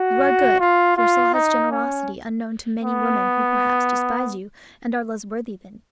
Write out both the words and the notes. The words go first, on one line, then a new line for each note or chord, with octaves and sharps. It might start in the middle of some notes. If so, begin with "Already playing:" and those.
You are good, your soul has generosity unknown to many women who perhaps despise you, and are less worthy than you.
Already playing: F#4
F4
F4
D#4
C#4
B3